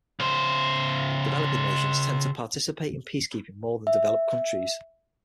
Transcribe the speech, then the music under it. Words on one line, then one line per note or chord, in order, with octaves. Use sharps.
Developing nations tend to participate in peacekeeping more than developed countries.
C#3 C5
E5